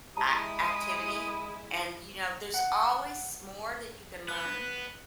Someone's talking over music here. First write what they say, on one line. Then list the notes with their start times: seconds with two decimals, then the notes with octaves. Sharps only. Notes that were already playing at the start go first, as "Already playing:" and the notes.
a activity and, you know, there's always s more that you can learn,
0.17 G#3 E4 G4 A5 A#5 D#6
2.54 F#5
4.28 B3 F#6